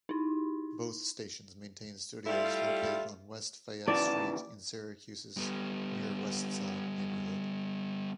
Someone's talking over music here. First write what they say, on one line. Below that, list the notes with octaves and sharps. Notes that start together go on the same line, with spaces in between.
Both stations maintain studios located on West Fayette Street in Syracuse's Near Westside neighborhood.
D#4 E4
G3 A3 E4 F4
D#2 C#3 E3 D5 A5
G3 B3